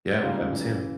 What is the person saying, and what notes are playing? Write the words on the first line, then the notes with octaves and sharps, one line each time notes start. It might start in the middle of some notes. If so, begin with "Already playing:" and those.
Yeah, that was him.
G#2 C#3 G3 A#3 F4
C#3
E3